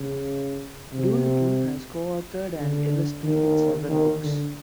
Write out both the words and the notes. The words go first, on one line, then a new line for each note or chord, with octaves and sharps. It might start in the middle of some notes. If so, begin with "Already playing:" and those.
Doolittle has also co-authored and illustrated several books.
Already playing: C#3
C3
D3
D#3
D#3
D3